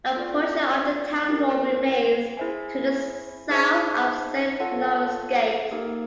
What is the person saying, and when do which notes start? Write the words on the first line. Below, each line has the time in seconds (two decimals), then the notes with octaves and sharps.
A portion of the town wall remains to the south of Saint Laurence's Gate.
0.15 C4 F4 A4 D5
1.27 C#4 E4 G4 A#4
2.37 E4 G#4 C5 E5 G#5
3.49 D#4 G#4 C5 E5 A5
4.60 F4 A4 C#5 F#5 A5
5.71 A#3 D#4 G4 A#4